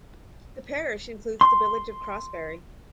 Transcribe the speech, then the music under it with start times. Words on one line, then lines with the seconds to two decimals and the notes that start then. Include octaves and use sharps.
The Parish includes the village of Crossbarry.
1.41 C6